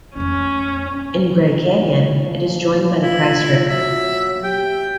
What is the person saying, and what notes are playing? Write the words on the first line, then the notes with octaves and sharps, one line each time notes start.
In Gray Canyon, it is joined by the Price River.
F2 A3 C#4
F3
E4 F4
F#3 E5
G4 G5